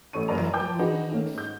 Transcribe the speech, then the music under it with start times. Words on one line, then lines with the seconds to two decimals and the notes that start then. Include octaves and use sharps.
I believe,
0.13 A1 A3 C#4 C#6 D#7
0.28 F#1 F#2 A#4 D5 A#5 F7
0.54 A#4 B4 G5 A5 D6 G6
0.79 D4 D#4 F#4 G#4 B4
1.12 D#3 A3 A#3 C#4
1.34 G#2 G6